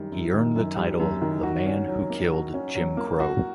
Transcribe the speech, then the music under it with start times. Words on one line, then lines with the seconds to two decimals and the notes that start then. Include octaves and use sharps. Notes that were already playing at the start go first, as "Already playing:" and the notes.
He earned the title "The Man Who Killed Jim Crow".
Already playing: F#2 D#3 G3
0.12 F#2
0.33 D#3
0.56 F#2
0.77 G3
1.00 F#2
1.22 D#3
1.43 F#4
1.66 C#4
1.88 F#3
2.10 A#3
2.32 F#4
2.54 C#4
2.75 F#3
2.97 A#3
3.20 F#4